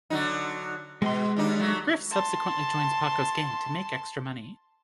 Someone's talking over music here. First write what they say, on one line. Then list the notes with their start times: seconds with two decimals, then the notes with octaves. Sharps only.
Griff subsequently joins Paco's gang to make extra money.
0.10 D3 F#3 D#4
1.02 B2 G#3 C6
1.37 D#2 D4 D#4
1.60 F#3 A3
2.11 A5 C6